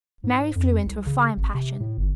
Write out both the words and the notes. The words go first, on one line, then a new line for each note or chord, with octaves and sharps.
Mary flew into a fine passion.
G#2
F2
C2
C#3
G#1
C3
A2
G1